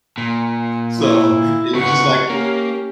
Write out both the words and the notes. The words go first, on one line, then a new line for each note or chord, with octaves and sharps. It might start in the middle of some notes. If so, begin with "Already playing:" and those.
So it was just like
A#2
E4
C#3 B3 F#5 C#6
A#3 C#4 G4